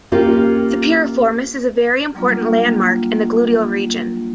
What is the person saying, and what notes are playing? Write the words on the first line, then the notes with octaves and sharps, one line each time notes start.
The piriformis is a very important landmark in the gluteal region.
A#3 C#4 F4 G4 A#4
F#3 G3 A#3 D4 F4